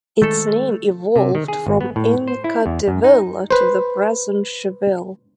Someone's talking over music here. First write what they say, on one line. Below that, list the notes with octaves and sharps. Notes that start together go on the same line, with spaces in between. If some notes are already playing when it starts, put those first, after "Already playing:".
Its name evolved from Inchadivilla to the present Chaville.
D#3 G#3 A3 A4
C3
D#3
G#4
G#1
B3
A2
C5
E4
E2
F#2
D#4
B4 C5